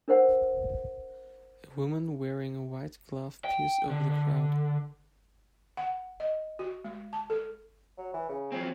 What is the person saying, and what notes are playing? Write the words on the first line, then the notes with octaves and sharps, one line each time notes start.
A woman wearing a white glove peers over the crowd.
D4 A#4 C5 F#5
G5
D3
D3
F#5
D#5
F#4
G#3
A5
A4
F#3
E3
C#3
F3 F#3 C4